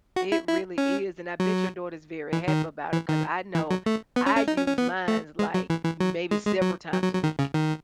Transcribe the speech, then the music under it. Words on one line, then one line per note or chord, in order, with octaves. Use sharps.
It really is, and I bet your daughter's very happy about it 'cause I know I use mines, like, maybe several times a week.
F#4
E4
E4
C#4
F#3
E3
D#3
E3
D#3
E3
F#3
A3
B3
C#4
C#4
D#4
C#4
C#4
B3
A3
G#3
F#3
E3
E3
F#3
G#3
G#3
F#3
F#3
F#3
F#3
D#3
C#3
D#3